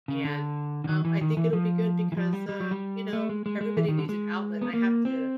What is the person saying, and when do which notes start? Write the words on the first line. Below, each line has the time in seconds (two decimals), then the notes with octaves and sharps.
and, um, I think it'll be good because, uh, you know, everybody needs an outlet and I have to
0.08 C#3
0.25 D3
0.84 D3
0.89 D#3
1.05 E3
1.21 D#3
1.37 E3
1.53 F3
2.12 E3
2.17 F3
2.33 G3
2.49 G3
2.60 F#3
2.71 G3
3.13 A3
3.29 G#3
3.46 G#3
3.61 G#3
3.77 E3
3.88 D#3
3.98 D3
4.09 G#3
4.61 B3
4.74 A#3
5.05 C4